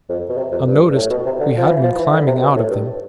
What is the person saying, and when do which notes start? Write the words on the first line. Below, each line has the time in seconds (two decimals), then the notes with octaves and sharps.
Unnoticed, we had been climbing out of them.
0.09 F2
0.29 B2
0.38 C3
0.52 F2
0.67 G2
0.91 G2
0.95 A2
1.10 B2
1.26 C3
1.40 D3
1.57 F3
1.69 E3
1.83 F3
1.99 E3
2.12 D3
2.27 C3
2.42 B2
2.56 A2
2.70 G2